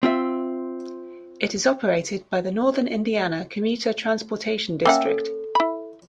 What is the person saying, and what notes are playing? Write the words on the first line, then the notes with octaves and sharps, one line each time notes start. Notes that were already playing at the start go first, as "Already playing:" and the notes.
It is operated by the Northern Indiana Commuter Transportation District.
C4 F4 E5
A#3 C#4 E5 F#5 G5 E6
A4
E4 B5